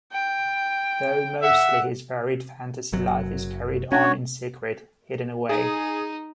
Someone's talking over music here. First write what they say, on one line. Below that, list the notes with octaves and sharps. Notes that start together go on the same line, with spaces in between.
Though mostly his varied fantasy life is carried on in secret, hidden away.
G5
E5 F#5
F#1 F#2 F#3
C#4 D4 F#4 C#5
D#4 G#4